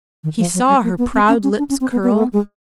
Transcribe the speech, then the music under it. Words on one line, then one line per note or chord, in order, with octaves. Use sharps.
He saw her proud lips curl.
D#3
F3
F#3
G3
A#3
B3
C4
C#4
C#4
D4
C#4
C4
B3
B3
G#3
A3
G#3